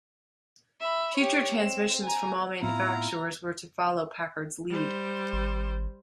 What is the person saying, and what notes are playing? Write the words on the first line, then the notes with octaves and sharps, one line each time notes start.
Future transmissions from all manufacturers were to follow Packard's lead.
E5 B5
G4 C#5
C4 E7
G#5 A#5
A2 B3 C4 E4 F4 A#5
G3 C5
G#1